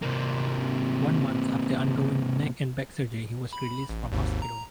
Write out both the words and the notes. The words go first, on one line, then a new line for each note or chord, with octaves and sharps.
One month after undergoing neck and back surgery he was released from hospital.
C3 A#3
B5
A1
G#1 D#2 G#2
A#5